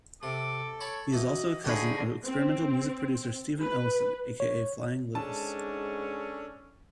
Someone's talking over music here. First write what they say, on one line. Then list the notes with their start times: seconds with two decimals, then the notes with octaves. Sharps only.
He is also a cousin of experimental music producer Steven Ellison, aka Flying Lotus.
0.23 C3 A4 D6
0.80 C#5 A5 B5 C#6
1.13 E3 F#4 D#5
1.64 D2 D3 D#4 G4 G#4 C#5 B5
2.27 C4
3.60 B4
4.40 C#5
5.15 G#2 C#4 D4 A4 A5